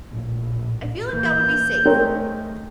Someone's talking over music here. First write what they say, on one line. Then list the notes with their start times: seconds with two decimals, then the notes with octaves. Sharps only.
I feel like that would be safe.
0.12 A#1 A2
1.11 E3 A#3 G6
1.86 G#3 A3 C4 A#4 C#5